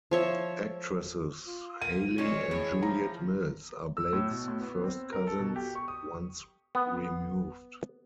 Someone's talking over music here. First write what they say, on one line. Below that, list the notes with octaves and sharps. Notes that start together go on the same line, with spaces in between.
Actresses Hayley and Juliet Mills are Blake's first cousins once-removed.
F3 C#5 E5
F4
A#3 D#7
A#2 F#3 G#3 C#4 C#5
A2 E3 G#4
F3 A#5
E6
A2
B2
A2
B3
C4
A#4
A4
B2
G4
C#6
D#6
B3